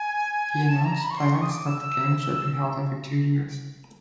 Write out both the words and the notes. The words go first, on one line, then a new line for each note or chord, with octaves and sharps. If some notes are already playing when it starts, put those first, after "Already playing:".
He announced plans that the games would be held every two years.
Already playing: G#5
A5
A#5
A#5
B5
C#6
C6
C#6
D#6
D6
E6
E6